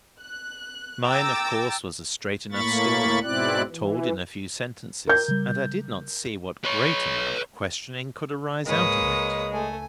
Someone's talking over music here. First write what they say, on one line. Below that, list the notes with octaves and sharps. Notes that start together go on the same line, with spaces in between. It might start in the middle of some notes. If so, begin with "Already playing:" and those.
Mine, of course, was a straight enough story, told in a few sentences, and I did not see what great amount of questioning could arise out of it.
F#6
G5 A#5 D6 E6 A6
A2 A#3 B5 C#6 A6
G#2 B2 C4 E4 D5 F#6
E3
A#4 G6
C#3 G3
B4 C#5
C#2 G#2 G#3 A#3 B4 C#5 D#6
C#2
A3 G#5